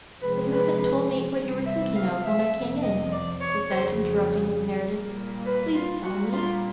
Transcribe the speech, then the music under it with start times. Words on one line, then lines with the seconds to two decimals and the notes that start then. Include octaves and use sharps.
"But you haven't told me what you were thinking of when I came in," he said, interrupting his narrative; "please tell me!"
0.21 C3 F3 G#3 B4
0.50 B4
1.38 C3 E3 G3
1.66 E5
1.95 F5
2.24 E5
2.54 F2 C3 F3
2.82 D#5
3.12 D5
3.40 C#5
3.70 F2 C#3 F#3 C5
4.87 A#2 G3 A#3
5.45 B4
5.74 F4
6.03 A#2 G3 A#3 F#4
6.32 F4